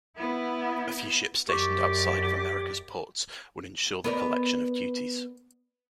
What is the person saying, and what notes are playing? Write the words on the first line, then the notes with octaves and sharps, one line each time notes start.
A few ships stationed outside of Americas ports would ensure the collection of duties.
B3 E4
F#2 G4 D5 C#6 D6
B3 A#4 D5